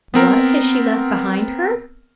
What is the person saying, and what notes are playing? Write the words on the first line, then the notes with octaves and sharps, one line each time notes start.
What has she left behind her?
B3 C4 A#4